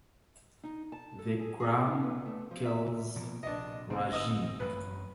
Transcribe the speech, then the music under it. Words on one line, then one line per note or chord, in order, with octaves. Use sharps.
Vikram kills Rajeev.
D#4
A5
A4
G#4
G#4
F#4
D#4
B3
A3
F3
E5
B2 F3 A#3
A#1 C3 D4 D#5
B2 D3 A#3 C4
G1 C4 D#5 D#6 E6
E1 A1 F#2 B4